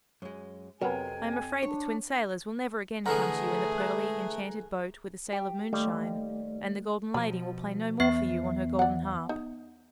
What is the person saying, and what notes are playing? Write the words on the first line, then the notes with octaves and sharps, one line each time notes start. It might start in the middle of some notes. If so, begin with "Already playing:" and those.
I am afraid the Twin Sailors will never again come to you in the pearly, enchanted boat with the sail of moonshine; and the Golden Lady will play no more for you on her golden harp.
F#2 G#3
F2 C3 F#3 B3 A#4 G5 G#5
D4 C#5
D3 E3 A3 B3 G#4 F#5 A#5 F6
A#5 F#6
G4
D#2 G3 A3
B2 F3 B5
E2 B3 E5 C7
D5 F#5
D#4